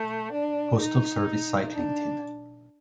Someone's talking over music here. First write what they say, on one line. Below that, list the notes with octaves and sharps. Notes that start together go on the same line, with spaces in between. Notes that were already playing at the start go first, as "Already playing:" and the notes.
Postal Service cycling team.
Already playing: A3
D4
D#4
D4